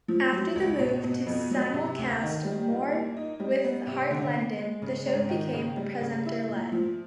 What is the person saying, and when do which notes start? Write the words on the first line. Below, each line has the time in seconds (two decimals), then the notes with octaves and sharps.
After the move to simulcast more with Heart London, the shows became presenter-led.
0.08 F3
0.32 F#3
0.56 C#2
0.79 B2
1.03 B2
1.27 F2
1.51 F#3
1.74 C3
1.98 D2
2.22 D#3
2.44 G3
2.69 A#2
2.92 A#3
3.17 D#4
3.40 G3
3.64 B3
3.87 C3
4.11 D3
4.34 B3
4.58 G#3
4.82 C#3
5.06 G#2
5.30 D#3
5.53 C#3
5.77 G3
6.01 C#3
6.25 E4
6.48 A#2
6.72 F3